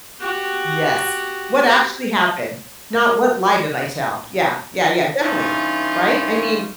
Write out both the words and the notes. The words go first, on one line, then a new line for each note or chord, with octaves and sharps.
Yes. "What actually happened?" Not, "What lie did I tell?" Yeah. Yeah, yeah. Definitely. Right? I mean
F#4 G4
A#4
G2 E3 C#4 D#4 F4